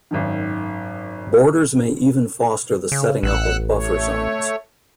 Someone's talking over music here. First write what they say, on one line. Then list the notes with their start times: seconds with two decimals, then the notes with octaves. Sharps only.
Borders may even foster the setting up of buffer zones.
0.11 G#1 F#2 D#3
2.92 C#3
3.23 A1 F#5 E6 F#6
3.73 A3 C#5